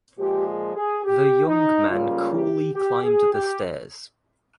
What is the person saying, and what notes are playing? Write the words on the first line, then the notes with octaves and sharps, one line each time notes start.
The young man coolly climbed the stairs.
A#2 F3 G#3 G4
G#4
G#4
G4
D#4
C#2 C#3 G3 A#3 C#4 F4
G4
G4
G#4
G4